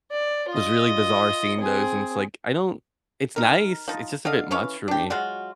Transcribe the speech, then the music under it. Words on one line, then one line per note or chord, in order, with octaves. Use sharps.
Was really bizarre seeing those, and it's like, I don't it's nice, it's just a bit much for me.
D5
F4 D#5
C4 G#4
D#4 A#4
F3 D#4
D3 D#5 F5
E3 C#4 C#5 F5
D4 G4
F#3 G#3 F4 F#4